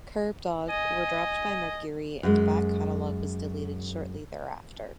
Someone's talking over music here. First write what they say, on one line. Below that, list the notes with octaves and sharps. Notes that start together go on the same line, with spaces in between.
Kerbdog were dropped by Mercury and their back catalog was deleted shortly thereafter.
D#5 G#5
F#2 G#3